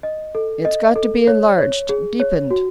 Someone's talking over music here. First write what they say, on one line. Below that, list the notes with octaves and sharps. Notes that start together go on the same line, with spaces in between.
It's got to be enlarged, deepened.
D#5
A4
D#5
A4
C#5
C#5
G#4
C#5
F#4